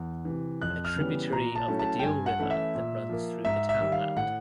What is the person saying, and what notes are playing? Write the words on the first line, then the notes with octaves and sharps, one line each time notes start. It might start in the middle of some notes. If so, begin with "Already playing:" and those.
A tributary of the Deel river that runs through the townland.
Already playing: E2
C3 E3
F2 F#6
F6
C#3 E3 G3 B3
A#2 A#5
A5
F#3 A3 C#4 E4
A5
G5
G2 G#5
F#5
E3 A3 C#4 E4
E5
A#2
F3 A#3
G#2 E5
E5
D#3 G3
F5
A2 F#5